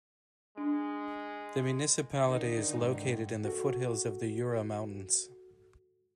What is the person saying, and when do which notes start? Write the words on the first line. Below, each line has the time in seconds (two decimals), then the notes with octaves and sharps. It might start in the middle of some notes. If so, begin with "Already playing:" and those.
The municipality is located in the foothills of the Jura Mountains.
0.58 G#3 D4
2.23 D3 D#3 D#4
2.69 G#2
3.45 F#4 A4